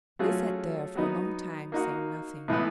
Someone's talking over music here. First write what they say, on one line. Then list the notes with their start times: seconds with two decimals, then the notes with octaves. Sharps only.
They sat there for a long time, saying nothing.
0.19 F#3 A3 C#4 F4 G#4
0.95 F#3 B3 D#4
1.72 A#3 D#4 F#4
2.48 A2 E3 G#3 B3